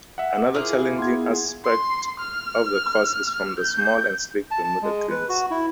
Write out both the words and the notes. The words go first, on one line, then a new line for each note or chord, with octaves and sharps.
Another challenging aspect of the course is from the small and slick Bermuda greens.
E5 F#5
A#3 E4 F4 G#4 C5
B3 C6 G#6
C6
F6
G6
A5
A5
G#3
B4
F#4
E4